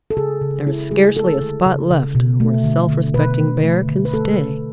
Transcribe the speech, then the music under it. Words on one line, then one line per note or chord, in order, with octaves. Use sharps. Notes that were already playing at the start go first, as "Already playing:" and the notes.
There is scarcely a spot left where a self-respecting Bear can stay.
A4
C#3 G#4
C#3
G#3 E4
G#3 G#4
A3 A4
D3
C#3
C#3
B2
A3
D3
D3
B2 B4
A3
A3
D3
B4
A3 A4
A3